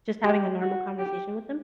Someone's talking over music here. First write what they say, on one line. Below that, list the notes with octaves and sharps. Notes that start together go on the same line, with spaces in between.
Just having a normal conversation with them.
G4
F#4
G4